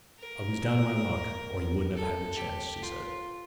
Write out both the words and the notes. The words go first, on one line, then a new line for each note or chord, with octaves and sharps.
'I was down on my luck, or he wouldn't have had the chance!' she said.
A#4
A4
G4
F4